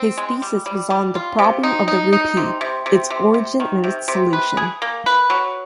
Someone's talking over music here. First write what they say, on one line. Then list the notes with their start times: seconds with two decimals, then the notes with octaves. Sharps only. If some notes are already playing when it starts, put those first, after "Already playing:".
His thesis was on "The problem of the rupee: Its origin and its solution".
Already playing: C4
0.18 G#3
0.42 G3
0.66 G3
0.90 G3
1.15 F4
1.39 C3
1.63 D#4
1.88 D#4
2.13 D#4
2.37 C3
2.61 C3
2.86 C3
3.10 C3
3.34 C3
3.60 D#3
3.84 C3
4.08 C3
4.33 B4
4.57 G#4
4.82 A#3
5.06 B4
5.30 F#3